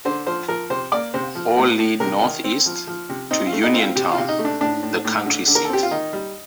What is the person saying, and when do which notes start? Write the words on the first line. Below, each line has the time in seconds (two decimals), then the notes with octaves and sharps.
All lead northeast to Uniontown, the county seat.
0.05 D3 C5
0.27 F3 C5
0.48 F3 A#4
0.70 C3 C5
0.92 A#3 D5
1.14 C3 C5
1.35 F3
1.57 A2
1.79 A2
2.00 C3 A#4
2.22 D#3
2.44 C4
2.66 F3
2.87 F3
3.09 C3
3.31 C4 D#4
3.47 F4
3.53 A3
3.63 D#4
3.74 C4
3.79 F4
3.96 C3 G4
4.12 F4
4.18 C3
4.29 D#4
4.39 A3
4.45 D4
4.61 A2 D4
4.83 A2
5.05 A2
5.26 D3
5.47 D3
5.55 A#4
5.65 A4
5.70 C4 G4
5.83 F4
5.91 D#3 D#4
6.13 G3